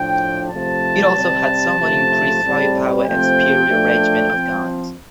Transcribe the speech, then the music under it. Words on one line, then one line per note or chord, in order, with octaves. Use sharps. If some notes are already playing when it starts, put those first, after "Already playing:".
It also had somewhat increased firepower and superior arrangement of guns.
Already playing: A2 F3 D4 G5
C3 F3 A3 C4 A5
C3 G3 C4
C3 F3 A3
A2 G3 C4
C3 F3 A3 C4 G5
F3 A3 D4
F3 C4